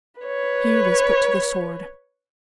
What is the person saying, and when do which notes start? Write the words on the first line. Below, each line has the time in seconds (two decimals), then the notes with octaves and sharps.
He was put to the sword.
0.21 B4 C#5